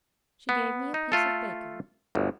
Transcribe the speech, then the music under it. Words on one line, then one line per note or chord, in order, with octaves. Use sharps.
'She gave me a piece of bacon.'
B3
D#4
A3 F4 A4
G1 D2